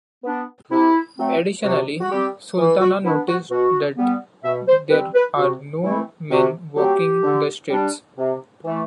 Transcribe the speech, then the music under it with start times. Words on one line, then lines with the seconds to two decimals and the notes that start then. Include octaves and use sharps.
Additionally, Sultana notices that there are no men walking the streets.
0.24 B3 D4
0.71 C3 E4
1.18 F#3 A3 C4
1.64 C3 F#4
2.01 F#4
2.11 G3 C4 G4
2.58 E3
2.81 F#4
3.05 B3 D4 E4
3.28 F#4
3.51 B2 F#4
3.97 G3 B3
4.44 B2 E5
4.68 C5
4.90 G3 C4 B4
5.14 B4
5.37 C3 F#4
5.84 E3 A3 C4 E4
6.31 C3 F#4
6.77 F#3 A3 C4 G4
7.23 D3
7.70 G3 D4
8.17 C3
8.65 E3 A3